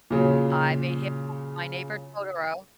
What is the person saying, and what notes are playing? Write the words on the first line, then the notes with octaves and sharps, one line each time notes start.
I made him watch My Neighbor Totoro.
A#2 C#3 F#3